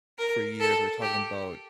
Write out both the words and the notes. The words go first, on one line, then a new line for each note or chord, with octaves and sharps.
for years, we're talking 'bout
A#4
A4
G4